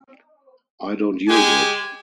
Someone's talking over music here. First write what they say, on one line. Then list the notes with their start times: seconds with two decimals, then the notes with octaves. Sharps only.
I don't use it.
1.28 G#3 G4 G#5